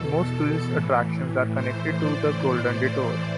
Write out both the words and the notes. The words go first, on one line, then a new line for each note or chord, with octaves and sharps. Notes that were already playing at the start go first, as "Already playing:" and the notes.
Most tourist attractions are connected to The Golden Detour.
Already playing: E2 B2 A4
A2 E3
A2 E3 C5
D5